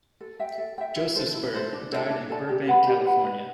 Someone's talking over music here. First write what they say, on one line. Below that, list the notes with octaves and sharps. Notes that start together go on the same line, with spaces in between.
Josefsberg died in Burbank, California.
A4
E5 G5
A4
E5 G5
E4
A4 C5
E4
A4 C5
D4
A4 D5 A5
D4
A4 D5 A5
G4
B4 F#5 B5
G4
B4 F#5 B5
B4